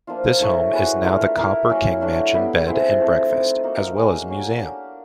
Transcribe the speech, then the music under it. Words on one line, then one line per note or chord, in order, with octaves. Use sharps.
This home is now the Copper King Mansion bed-and-breakfast, as well as a museum.
F3 A#3 D4 F4
E4 A4 C#5
G#3 C#4 F#4 B4
A3 D4 F4 A#4
E4 G4 A#4
F#3 A#3 C#4
F#3 A3 D4 G4
G3 B3 E4 G4
C4 E4 G#4
F3 A3 C4
G3 C4 D#4
A#3 D#4 F#4
G#3 C#4 F#4
A#3 C#4 F#4
D4 G4 A#4